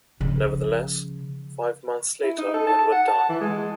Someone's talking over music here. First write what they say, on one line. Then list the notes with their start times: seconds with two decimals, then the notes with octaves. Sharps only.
Nevertheless, five months later Edward died.
0.20 C#3 F3
2.23 E4
2.38 D#4
2.54 A4
2.67 A5
2.92 F#5
3.08 A5
3.29 E3
3.41 G#3
3.58 G#3